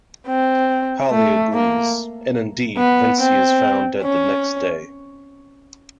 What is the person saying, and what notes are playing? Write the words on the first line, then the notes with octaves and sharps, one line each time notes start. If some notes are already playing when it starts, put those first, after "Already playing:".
Holly agrees, and indeed Vincey is found dead the next day.
C4
A3
A#3
B3
C4
C#4